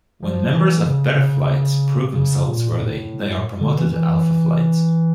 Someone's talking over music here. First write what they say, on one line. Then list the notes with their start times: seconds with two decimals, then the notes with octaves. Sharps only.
When members of Beta Flight prove themselves worthy they are promoted to Alpha Flight.
0.22 F3
0.54 E3
0.86 C#3
2.15 C#3
2.47 A#2
2.72 A#2
2.80 A2
3.60 D3
3.77 E3
3.92 E3